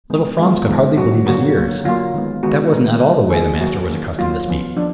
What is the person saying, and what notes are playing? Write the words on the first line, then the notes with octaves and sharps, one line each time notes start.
Little Franz could hardly believe his ears; that wasn't at all the way the master was accustomed to speak.
D#3 G#3 B3
D#3 G#3 B3 F4
D#3 G#3 B3
D3 F#3 A#3 F#4
D3 F#3 A#3 F#4
D3 F#3 A#3
D3 F#3 A#3 F4
D#3 G#3 B3
D#3 G#3 B3 F#4
D#3 G#3 B3 A#4
D#3 G#3 B3
D#3 F#3 A#3 G#4
D#3 F#3 A#3 F#4
D#3 F#3 A#3
D#3 F#3 A#3 F4
F3 B3
F3 D4